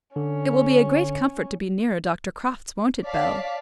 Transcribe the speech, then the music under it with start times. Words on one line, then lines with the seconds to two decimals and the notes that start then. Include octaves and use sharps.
"It will be a great comfort to be nearer Dr. Crofts; won't it, Bell?"
0.16 D3 C#4
3.04 C#5 D5 F5 A5 B6